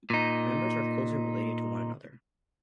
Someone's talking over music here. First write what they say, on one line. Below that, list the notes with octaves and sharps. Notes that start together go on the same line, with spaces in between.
Members are closely related to one another.
A#2 D#4